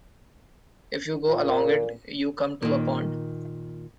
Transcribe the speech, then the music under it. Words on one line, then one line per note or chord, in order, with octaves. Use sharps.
If you go along it, you come to a pond.
A#2
A#2 D#3